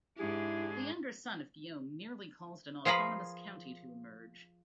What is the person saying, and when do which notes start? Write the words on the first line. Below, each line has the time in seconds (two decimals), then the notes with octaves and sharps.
The younger son of Guillaume nearly caused an autonomous county to emerge.
0.18 G#2 D4 E4 G4 G#4
2.85 F3 G#4 F5 A#5 B5